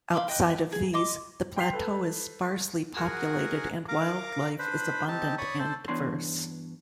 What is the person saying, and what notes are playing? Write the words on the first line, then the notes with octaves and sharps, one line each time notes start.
Outside of these, the plateau is sparsely populated and wildlife is abundant and diverse.
F5 B5 C6 D6
B4 D#5 G5
G#4
D#5 C6 D6
G5 C6 G6 B6 C7 F7
A4 B4
F#4 G#4 A#4 F#5 G#5
A#4 F5 A#5 D6
D4 B4 C5 B5
C4 D#4 G4 A5
C#5 D5 B5 C#6 D#6
A4 C5 D5
G2 E3 B3 D4 C#5 C6